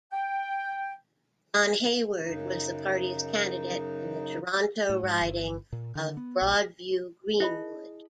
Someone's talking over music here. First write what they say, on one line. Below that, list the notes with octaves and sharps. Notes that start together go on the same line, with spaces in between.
Don Hayward was the party's candidate in the Toronto riding of Broadview-Greenwood.
G5
F#2 C#3 D#4
A2
G#2
G1
A#2
D3
B3
A#1
E4 G#4 D#5 B5